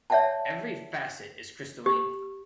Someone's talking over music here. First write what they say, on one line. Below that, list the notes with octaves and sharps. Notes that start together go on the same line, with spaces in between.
Every facet is crystalline.
C#5 D5 E5 F#5 G5 A5
G4